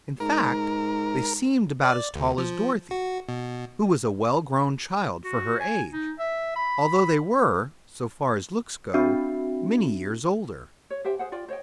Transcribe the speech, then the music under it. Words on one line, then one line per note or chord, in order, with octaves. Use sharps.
In fact, they seemed about as tall as Dorothy, who was a well-grown child for her age, although they were, so far as looks go, many years older.
G#2 A#4
D5
D2
F3
F#4
B2
F#4
G#5
D#4
E5
B5
C4 D4 F#4 E5 C7
C#5
G4 C5 E5 G5
G#4 C5 F#5
F4 D5 G5
C5 C#5 D#5 G5